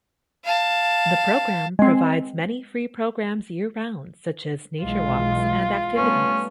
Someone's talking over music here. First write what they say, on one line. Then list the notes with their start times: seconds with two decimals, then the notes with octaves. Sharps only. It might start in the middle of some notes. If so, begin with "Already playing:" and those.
The program provides many free programs year-round, such as nature walks and activities.
0.44 F5 A5
1.79 G#3 C4
4.83 B1 E3 G#3 F4
5.97 G3 A3 B3 C#4